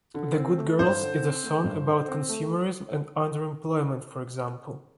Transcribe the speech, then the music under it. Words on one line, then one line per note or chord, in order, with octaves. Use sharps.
"The Good Girls" is a song about consumerism and underemployment, for example.
D3
C4
A3
G2 C5
D3
C4
A3
G2
D3
C4
A3